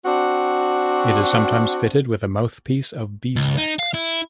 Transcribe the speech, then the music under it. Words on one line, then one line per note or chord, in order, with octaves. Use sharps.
It is sometimes fitted with a mouthpiece of beeswax.
C4 D4 F#4
C#2
D#4
F5
E4